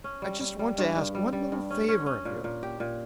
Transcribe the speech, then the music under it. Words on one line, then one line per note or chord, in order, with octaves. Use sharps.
"I just want to ask one little favor of you."
C#4
G3
G3
G3
G2
G2
G3
G3
G2
C#4
C#4
C#4
A#2
A#2
G4
A#2